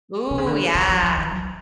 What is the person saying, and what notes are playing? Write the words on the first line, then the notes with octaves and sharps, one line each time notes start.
Ooh, yeah.
C3
C#3
D3
C#3
F3
F3
E3
F#3